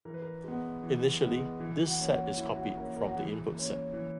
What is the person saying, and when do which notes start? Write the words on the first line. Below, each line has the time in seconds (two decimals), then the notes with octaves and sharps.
Initially, this set is copied from the input set.
0.05 E3 A#4
0.14 B4
0.22 A#4
0.44 G#3 B3
0.83 E3
1.22 G#3 B3
1.60 E3
1.86 F#4
2.00 A#3 C#4
2.12 F#4
2.38 E3 E4
2.57 F#4
2.76 A#3 C#4 A#4
2.96 A#4
3.07 F#4
3.15 E3 G#4
3.54 A#3 C#4
3.93 E3